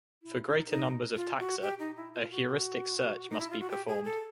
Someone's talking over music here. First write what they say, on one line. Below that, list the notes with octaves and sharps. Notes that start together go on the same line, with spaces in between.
For greater numbers of taxa, a heuristic search must be performed.
E4
D#4
D#4
F4
F#4
G4
D#4
E4
F4
F#4
D#4
E4
F4
F#4
G4
G#4
A4